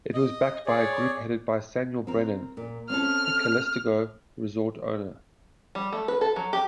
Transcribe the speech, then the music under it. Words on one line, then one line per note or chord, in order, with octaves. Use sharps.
It was backed by a group headed by Samuel Brannan, a Calistoga resort owner.
D#5
G#4 C#5 D5
C4 A#4
A#2
C4 C#4 A4 F6
G3
A3
B4
A4
F#3
G4